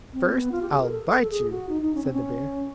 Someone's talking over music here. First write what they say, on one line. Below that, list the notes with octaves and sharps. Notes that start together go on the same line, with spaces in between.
"First, I'll bite you," said the bear.
C4
B3
F4
G4
G#4
A#4
A4
A#4
A4
A4
G#4
F#4
D#4
D#4
C#4
C4
C#4